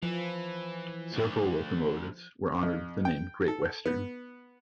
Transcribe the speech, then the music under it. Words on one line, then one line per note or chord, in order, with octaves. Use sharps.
Several locomotives were honoured with the name "Great Western".
E3 F3
D2 D3
F2
G5
A4
B3